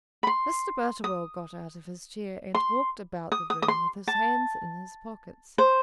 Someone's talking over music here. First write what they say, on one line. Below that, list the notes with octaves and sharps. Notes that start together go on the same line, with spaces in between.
Mr. Butterwell got out of his chair, and walked about the room with his hands in his pockets.
B5
C6
D#6
C6
D#6
D#6
D#6
C6
A5
C5